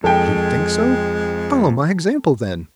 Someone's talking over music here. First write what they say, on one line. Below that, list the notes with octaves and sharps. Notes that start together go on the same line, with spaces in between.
"You think so?--follow my example, then."
F2 G#3 A4 G5